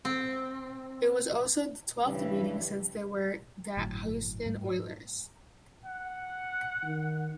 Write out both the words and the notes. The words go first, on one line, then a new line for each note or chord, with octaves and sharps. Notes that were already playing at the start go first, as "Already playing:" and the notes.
It was also the twelfth meeting since they were the Houston Oilers.
C4
G2 C#3 E3
G1 A2 F#3
G#2 G3 A3
F#5
D#3